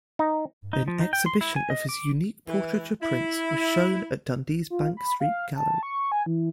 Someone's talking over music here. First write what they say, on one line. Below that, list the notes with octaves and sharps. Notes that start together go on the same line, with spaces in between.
An exhibition of his unique portraiture prints was shown at Dundee's Bank Street Gallery.
D#4
D#4
F3
D#4
G5
C6
E4
G#5
D#5
D6
E3
E4
F4
B5
F5
A5
C#6
G#5
E3